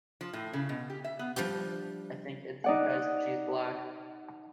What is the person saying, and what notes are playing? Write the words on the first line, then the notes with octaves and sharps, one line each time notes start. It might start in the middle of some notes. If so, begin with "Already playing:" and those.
I think it's because she's black.
F3
A2
C#3
B2
G4
E5
B3
F3 G3 D4 G4
D#4 D5 F#5